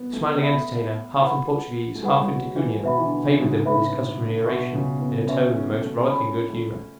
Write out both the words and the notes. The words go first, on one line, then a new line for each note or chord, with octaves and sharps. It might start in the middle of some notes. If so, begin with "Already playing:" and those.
The smiling entertainer, half in Portuguese, half in Ticunian, favored them with his customary oration in a tone of the most rollicking good humor.
Already playing: B3
A3
A4 E5 B5
E4 B4 F#5 B5
A3
G#3 E4 B4 F#5 B5
G#3
F#3
E3
B2 B4 E5 B5
E3
D3
C#3
G#2
A2
B4 E5 B5
B2 F#4 B4 E5 A5 C#6
C#3
B3
C#4 F#4 B4 E5 A5 C#6
C#4
A3
C#4 G#4 C#5 G#5 B5
A3